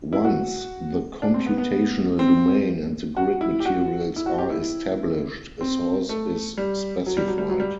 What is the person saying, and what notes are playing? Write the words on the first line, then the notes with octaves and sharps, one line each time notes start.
Once the computational domain and the grid materials are established, a source is specified.
E4
F#4
D4
C4
B3
B3
C4
F#4
E4
G4
F#4
E4
F#4
G4
E4
C4
A3
G3
F#3
G3
F#3
G3
F#3
G3